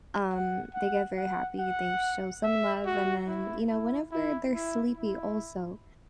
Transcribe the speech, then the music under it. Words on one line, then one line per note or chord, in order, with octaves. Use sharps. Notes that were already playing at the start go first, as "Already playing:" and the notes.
um, they get very happy, they show some love, and then, you know, whenever they're sleepy also,
F#5
F#5
F#5
F#5
E5
F#4
E4
E4
E4
E4
E4